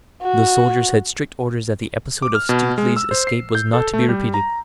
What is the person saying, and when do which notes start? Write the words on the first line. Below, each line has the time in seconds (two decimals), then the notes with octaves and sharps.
The soldiers had strict orders that the episode of Stuteley's escape was not to be repeated.
0.22 F#4
2.22 D6
2.35 F6
2.49 B2
2.78 G#3
2.96 E6
3.11 C5
3.27 C7
3.55 G6
3.73 A4
3.93 A3
4.09 G3
4.34 A#5